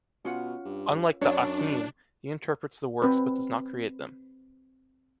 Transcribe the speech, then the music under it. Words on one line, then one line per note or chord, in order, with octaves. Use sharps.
Unlike the aqyn, he interprets the works but does not create them.
B2 C#4 F4 F#5
G2
F#2 D4 C#5
C4 B4